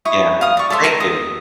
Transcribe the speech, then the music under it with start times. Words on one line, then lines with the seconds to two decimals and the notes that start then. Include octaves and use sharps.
Yeah, well thank you.
0.05 E4 C#6 D#6
0.41 F5 D#6
0.57 D5 C#6
0.70 A4 C#5 E5 C6
0.84 A#4
1.00 D#6